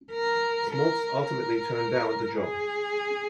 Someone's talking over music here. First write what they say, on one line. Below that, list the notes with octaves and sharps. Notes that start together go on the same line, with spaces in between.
Smaltz ultimately turned down the job.
A#4
A#4
A#4
G#4